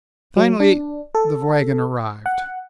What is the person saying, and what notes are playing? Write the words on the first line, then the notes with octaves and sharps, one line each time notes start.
Finally the wagon arrived.
F#3
D4
A4
F#5